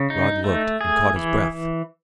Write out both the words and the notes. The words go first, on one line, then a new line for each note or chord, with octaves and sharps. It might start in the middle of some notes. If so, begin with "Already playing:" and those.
Rod looked, and caught his breath.
Already playing: C#3
D#4
A3
G#4
E3